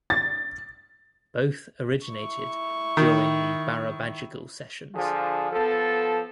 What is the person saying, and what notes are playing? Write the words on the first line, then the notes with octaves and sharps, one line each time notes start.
Both originated during the "Barabajagal" sessions.
A6
E4 C#6
D#3
D3 F3 F4 G#4
F3 B3 A4